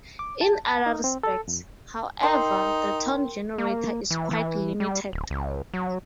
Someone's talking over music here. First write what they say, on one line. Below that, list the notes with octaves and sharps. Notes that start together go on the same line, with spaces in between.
In other respects, however, the tone generator is quite limited.
D6
A5
A5
D#4
C4
A4
F2
D#4 A#4 G5 C6
A#3
E3
E3
G3
D1
C#2
F#3